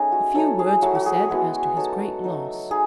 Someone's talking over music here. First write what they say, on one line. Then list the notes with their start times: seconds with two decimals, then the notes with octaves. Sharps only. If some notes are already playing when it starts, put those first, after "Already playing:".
A few words were said as to his great loss.
Already playing: A3 C#4 D#4 G#4 D#5
0.12 F#4
0.35 F#3 A3 E4 A4
0.59 G#4
0.82 F#3 A3 E4 F#4
0.95 F#4
1.06 G#4
1.30 G#3 B3 E4
1.77 F#3 B3 D#4 A4
2.24 F#3 A3 D#4
2.71 D#4 G#4